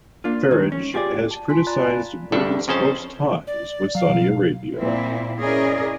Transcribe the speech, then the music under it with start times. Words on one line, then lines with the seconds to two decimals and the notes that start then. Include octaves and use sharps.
Farage has criticised Britain's close ties with Saudi Arabia.
0.24 A#3 D4 F4
0.51 D#3 G#3
0.72 C#4
0.94 F4 G4 G#4 C#5 D5
1.31 A5
1.49 F4 G#5 C6 B6
1.67 D5 A#5 B5 F#6 A6
1.83 F5 G#5
2.32 D2 G2 D4 A4
2.68 F2 C#3 C#4 C5 A5
3.47 D5
3.95 F#3 F5
4.06 B2 F#3
4.76 A#2 C4 E4
5.41 C#4 E4 G#4 A#4 D5 D#5